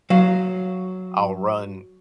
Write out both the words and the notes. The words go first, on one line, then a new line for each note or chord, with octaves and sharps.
I'll run
F#3 F5